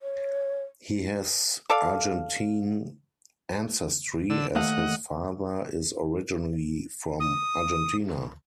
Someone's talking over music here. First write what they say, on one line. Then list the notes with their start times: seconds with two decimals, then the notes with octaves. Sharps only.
He has Argentine ancestry as his father is originally from Argentina.
0.01 C#5
1.70 A4 D5 F5
4.30 D3 E6
4.55 D#2 A3 D#5 F5 F#5
7.20 D#6